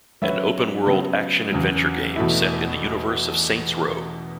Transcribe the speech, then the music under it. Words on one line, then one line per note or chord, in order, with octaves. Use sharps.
An open world action-adventure game set in the universe of Saints Row.
F#3 C#4 F#4 B4 E5
C#3 F#3 B3
E2 C#3 F#3
E2 B2 A3 E4